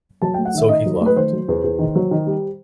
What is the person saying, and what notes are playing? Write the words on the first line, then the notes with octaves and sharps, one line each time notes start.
So he left.
F#3 A5
A3 G5
F#5
D#3 E5
D#4 D#5
F#3
A3 B4
D#3 C5
F#3
E2
E2
D#3
F#3
D#3
G3